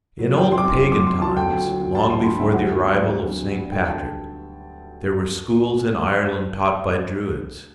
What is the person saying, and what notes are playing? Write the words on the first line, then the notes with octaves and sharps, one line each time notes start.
In old pagan times, long before the arrival of St. Patrick, there were schools in Ireland taught by druids.
F#3
F#2 G5
F#3 C6
D6
F#2
F#2 C6
F#2 D6
F#2 C6
F#3 A5
D2 G5
D2
F#3
D2
D2 A5
F#3 C6
D3 B5
D2 E5
F#3 F#5
F#3
G2
G2
F#3
G2
G2
G2
D2 G5
A5